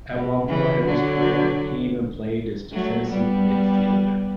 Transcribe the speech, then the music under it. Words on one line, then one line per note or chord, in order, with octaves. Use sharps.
At one point of his career he even played as defensive midfielder.
B2
C#3 E3
D3 F#3
F#3 A3
G3 B3